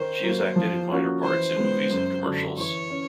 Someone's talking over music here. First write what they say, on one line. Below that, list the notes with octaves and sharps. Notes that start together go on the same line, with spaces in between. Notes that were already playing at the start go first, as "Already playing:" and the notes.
She has acted in minor parts in movies and commercials.
Already playing: D#3 C5
F#3 A#3
F3
A#3 C#4 F#4
E3 C5
G#3 B3
F#2
D3 F#3
E3 C#5
C#4